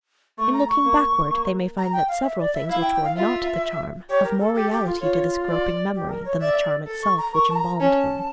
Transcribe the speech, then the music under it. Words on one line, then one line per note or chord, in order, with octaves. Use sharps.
In looking backward they may find that several things which were not the charm have more reality to this groping memory than the charm itself which embalmed them.
A3 C#6
A#5
C#6
A#3
A#3
A#5
G5
F5
E5
D5
E5
E4 F5
G5
G5
F5
F4 E5
G4 C#5
A#4
A4
G4 A4
G4
F4
F4 C#5
D5
G4
A#4
C#5
D5 E5
A4
C#6
A#5
A#4 C#6
A5
A#5
C#4 A5